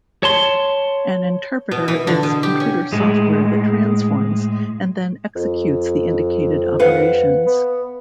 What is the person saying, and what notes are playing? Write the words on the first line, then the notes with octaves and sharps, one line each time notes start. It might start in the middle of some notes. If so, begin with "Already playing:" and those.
An interpreter is computer software that transforms and then executes the indicated operations.
C#5 A5 C6
B2
E3
D3
B2
G4
C#4
A2 G#3
F2
B4 F5 F#5
B3